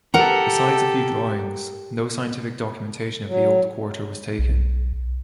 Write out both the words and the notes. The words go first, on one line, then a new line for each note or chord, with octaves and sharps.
Besides a few drawings, no scientific documentation of the old quarter was taken.
G4 A4 A#4 F#5 A#5
F#3
B1